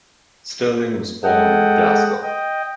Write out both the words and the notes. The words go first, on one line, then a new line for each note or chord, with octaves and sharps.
Stirling was born in Glasgow.
G#3 A4 D#5 F#5 G5
D#5 G5